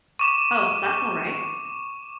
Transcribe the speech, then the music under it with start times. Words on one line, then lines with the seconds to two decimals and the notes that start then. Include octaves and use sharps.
Oh, that's all right.
0.19 C#6 D6 E7